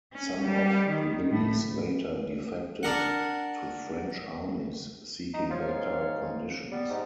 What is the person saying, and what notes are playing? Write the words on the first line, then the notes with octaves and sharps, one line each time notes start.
Some of these later defected to French armies seeking better conditions.
C#4
G3
D#3
A2
D4 A#4 F#5
D#4
F3 C#5 F5
G#2
G3 B3
G#2